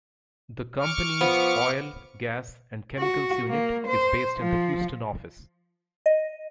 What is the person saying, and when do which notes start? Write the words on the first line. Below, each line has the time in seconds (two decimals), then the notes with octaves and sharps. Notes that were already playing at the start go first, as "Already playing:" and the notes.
The company's Oil, Gas and Chemicals unit is based in the Houston office.
0.79 C#6 D6 F6
1.21 F3 B3
2.99 F#4
3.49 A#3
3.88 C5
4.38 F3
6.06 D#5